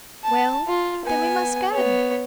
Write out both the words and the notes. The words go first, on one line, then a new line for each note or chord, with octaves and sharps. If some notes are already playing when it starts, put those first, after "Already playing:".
"Well, then we must go!"
A5
F4
B3 G#5
B3 C#5